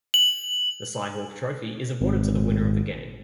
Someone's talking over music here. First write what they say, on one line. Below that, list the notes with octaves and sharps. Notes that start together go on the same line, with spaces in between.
The Cy-Hawk Trophy is awarded to the winner of the game.
F#7
G#1